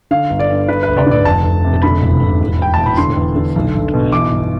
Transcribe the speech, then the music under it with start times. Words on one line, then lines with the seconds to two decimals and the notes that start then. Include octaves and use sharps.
However, it is unknown whether this was a full international.
0.11 D3 F5
0.30 G1
0.39 D5
0.49 G2
0.68 D3 B4
0.83 B4
0.88 D2
0.96 D5
1.06 D3 D5
1.25 F1 A5
1.45 F1
1.64 C3
1.83 D3 B5
2.02 E1
2.21 E1
2.41 E1
2.59 E1 G5
2.74 E1 A5
2.86 B5
2.97 D3 C6
3.16 E2
3.36 D3
3.56 B1
3.75 B1
3.94 B2
4.12 E3 D6
4.32 G1